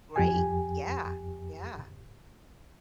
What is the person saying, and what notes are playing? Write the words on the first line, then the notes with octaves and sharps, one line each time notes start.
Great. Yeah. Yeah.
F2 G4 G#5